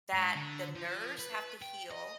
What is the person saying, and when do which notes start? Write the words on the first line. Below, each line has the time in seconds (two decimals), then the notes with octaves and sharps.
that the nerves have to heal
0.14 G#2
0.35 D3
0.75 F3
1.19 B4
1.62 G5
1.91 D#5